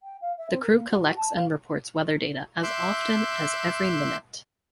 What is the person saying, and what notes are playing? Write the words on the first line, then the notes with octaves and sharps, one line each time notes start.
The crew collects and reports weather data as often as every minute.
G5
F5
E5
C4
A#4
A#3
F#4
F#4
A5
F5
E5 C6 D6 E6 F#6 G6